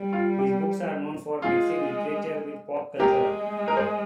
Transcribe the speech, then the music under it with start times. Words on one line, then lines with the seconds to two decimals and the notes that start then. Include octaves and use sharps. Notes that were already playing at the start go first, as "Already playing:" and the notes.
His books are known for mixing literature with pop culture.
Already playing: G3
0.13 F4
0.39 G4
1.42 G#3 F4 G#4
2.99 G#3 G4 A#4
3.68 A#4
3.77 G#4 C5